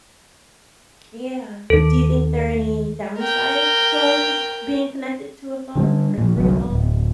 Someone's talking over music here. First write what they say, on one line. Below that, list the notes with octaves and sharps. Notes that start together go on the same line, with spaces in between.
Yeah. Do you think there are any downsides to always be being connected to a phone or through a phone?
D#2 D#3 A4
A#4 G5
D3 F#3 G3
A#2 F3
G1 C2 B2 F#3
D1